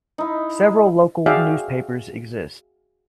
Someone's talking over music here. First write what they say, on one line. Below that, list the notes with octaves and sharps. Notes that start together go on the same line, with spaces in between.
Several local newspapers exist.
D#4 E4
F#4 G#4 D5 E5 F5 G5